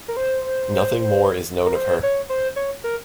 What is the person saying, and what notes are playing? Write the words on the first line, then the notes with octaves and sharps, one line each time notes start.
Nothing more is known of her.
A#4
C5
A#4
C5
C#5
C5
C#5
A#4